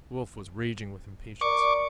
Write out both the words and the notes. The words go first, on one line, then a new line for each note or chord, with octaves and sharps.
The Wolf was raging with impatience.
A#4 D5 C#6 D6